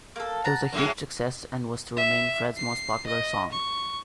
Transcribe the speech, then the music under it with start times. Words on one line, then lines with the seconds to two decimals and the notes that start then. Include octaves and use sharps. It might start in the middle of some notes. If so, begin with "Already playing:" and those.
It was a huge success and was to remain Fred's most popular song.
0.16 A#3 A4
0.44 F#5 A5 A#5
0.72 F#2 A2 G#3
1.97 E5
2.57 C7
3.07 D#5
3.52 C#6